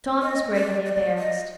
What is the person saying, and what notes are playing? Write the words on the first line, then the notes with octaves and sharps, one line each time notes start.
John was gravely embarrassed.
D#5
D5
D#5
D5
D#5